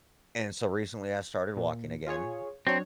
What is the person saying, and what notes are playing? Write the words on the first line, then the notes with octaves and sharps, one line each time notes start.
And so recently I started walking again.
A#2
F4 G#4 C#5
F#3 C4 D4 C#5